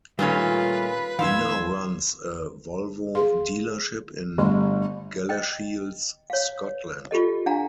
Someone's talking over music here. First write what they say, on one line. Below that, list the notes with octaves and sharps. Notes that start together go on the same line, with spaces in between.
He now runs a Volvo dealership in Galashiels Scotland.
A#2 D#3 G3 A3 C#4 F4 B4
E2 D#3 F3 F5 C6 E6 G#6
G#4 F5 C6
G1 A3 C6
D#5 G5
C#5 F5
F4 G4 A4 D#5
D4 F5 F#5 G#5 A#5